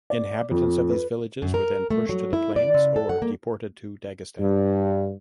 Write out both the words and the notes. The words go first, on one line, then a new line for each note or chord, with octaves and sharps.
Inhabitants of these villages were then pushed to the planes or deported to Dagestan.
D5
F2
B4
F#2
A#4
A3
F#3
E4
D5
C#3
A4
F#5
A#3
G2